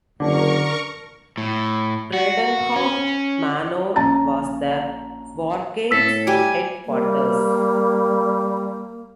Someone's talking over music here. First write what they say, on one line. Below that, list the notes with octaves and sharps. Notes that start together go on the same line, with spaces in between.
Bradenham Manor was the Wargames' Headquarters.
F#1 D3 A#4 D5 A5 C#6 D6
A2
F#4
C#4
A#1 C#4 A5 A#5 A6
A2 A4 E6 B6
G3 G4 G#5 D6
G3 A#3